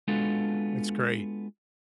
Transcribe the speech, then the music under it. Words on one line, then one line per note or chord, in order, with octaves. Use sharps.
That's great.
G#3 B3 D4 F4 F#4 A4